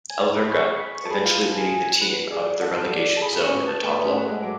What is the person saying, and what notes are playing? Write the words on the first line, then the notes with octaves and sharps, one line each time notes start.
Alverca, eventually leading the team out of the relegation zone in the top level.
G#5
A5
B5
G#4 C#6
C#6
B5
C#6
A5
G#4 B5
F4
F#4 A5
G#5
G#5
B4
B4
G#4 D5
A4 F#5
F5
D5
A5
G#4 B5
F#4
C#6
C#4
B3 C#6
A5
A3
B3
C#4
A3 F#5
G#3
F#3 D6